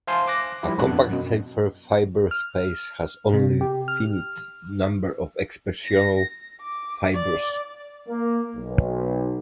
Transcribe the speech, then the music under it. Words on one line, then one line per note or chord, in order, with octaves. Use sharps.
A compact Seifert fiber space has only a finite number of exceptional fibers.
C5 E5 F5 G#5 A5 C6
D6 F#6 A#6
F3 G3 E4 G4
F2 B3 D4 F#6
F#2 B2
F6
C3
G4
F6
A#6
D6
D5
A#3
B1